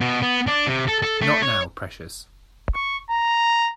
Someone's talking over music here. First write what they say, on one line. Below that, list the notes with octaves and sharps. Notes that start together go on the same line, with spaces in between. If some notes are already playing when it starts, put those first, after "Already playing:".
Not now, precious.
B2
B3
D4
C3
A4
A4
A3
C#5
C#6
A#5